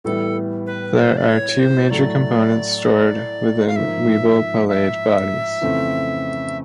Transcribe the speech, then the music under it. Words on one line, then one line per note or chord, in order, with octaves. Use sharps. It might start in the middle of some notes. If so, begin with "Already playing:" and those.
There are two major components stored within Weibel-Palade bodies.
A2 E3 G3 B3 E4 A4
B4
C5
D5
C#5
C5
A2 F#3 A3 D5
F5
G#2 F3 A#3 E5
E5
F2 C#3 E3 A3 C4